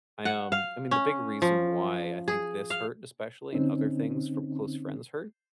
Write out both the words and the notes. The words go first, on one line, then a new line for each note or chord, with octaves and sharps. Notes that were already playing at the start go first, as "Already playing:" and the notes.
I, um, I mean, the big reason why I think this hurt especially and other things from close friends hurt
F#5
F5
C#4
F3
G#4
F5
D3 C4 C#4 D#4